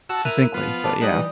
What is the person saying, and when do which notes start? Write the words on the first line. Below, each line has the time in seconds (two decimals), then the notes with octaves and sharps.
succinctly, but yeah.
0.09 F#4 A5 E6
0.25 E4 A#4 F#6 D#7 F7
0.54 F3 B3 F4
0.84 D5 A5
1.01 G3 D#4 D5 D#6 F#6
1.14 E3